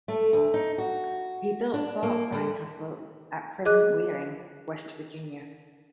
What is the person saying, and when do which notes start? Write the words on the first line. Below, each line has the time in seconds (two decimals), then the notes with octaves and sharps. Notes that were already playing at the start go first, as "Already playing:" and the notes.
He built Fort Fincastle at present Wheeling, West Virginia.
0.08 A3
0.33 D2
0.54 D#4
0.78 F#4
1.73 D4
2.03 A#3
2.32 D3
3.65 G#4 D#5 D6 F#6